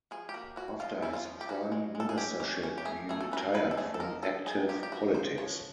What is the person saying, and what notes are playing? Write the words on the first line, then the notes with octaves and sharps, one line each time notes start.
After his prime ministership, he retired from active politics.
F3 G#4
G4
A#3 F#4
C#4 F#4
F3 F4
C#4 E4
F4
F3
G4
C#4 F#4
G#3
G#3
A4
G#4
C#4 G4
C#4
C#4
G4
A3 G#4
A3 G#4
A4
C#4 B4
A#4
A3 B4
A4
A3 G#4
A4
F3 A#4
F3 A4
D#4 G#4
F3 G4
G4
B3 F#4
F3 C5
F3 C#5